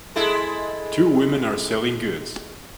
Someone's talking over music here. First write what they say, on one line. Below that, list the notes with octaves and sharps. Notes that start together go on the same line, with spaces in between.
Two women are selling goods.
G#3 E4 A4